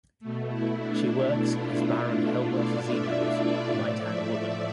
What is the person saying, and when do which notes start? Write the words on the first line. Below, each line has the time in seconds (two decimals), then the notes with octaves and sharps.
She works as Baron Helmut Zemo's right-hand woman.
0.20 B2 A3
0.50 E4
0.79 D4
1.08 E4
1.52 F4
1.96 E4
2.25 E4
2.53 D5
2.82 E5
3.12 D5
3.40 E5
3.70 A2 F3 A3 D5
3.99 E5
4.28 D5